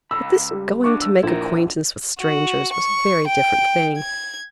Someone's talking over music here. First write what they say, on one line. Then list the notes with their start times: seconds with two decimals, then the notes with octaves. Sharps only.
But this going to make acquaintance with strangers was a very different thing.
0.11 C#2 B5 E6
0.51 G3
0.84 E2 D4 C#6 D6
1.01 E6
1.23 A#1 E4 A#4
1.55 B1
2.20 F#4
2.73 C#6
3.27 G5
3.98 G#6